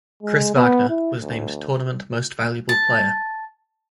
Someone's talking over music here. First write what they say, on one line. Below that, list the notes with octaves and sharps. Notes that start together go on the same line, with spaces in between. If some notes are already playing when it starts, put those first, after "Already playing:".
Chris Wagner was named Tournament Most Valuable Player.
G#3
B3
E4
D2
A5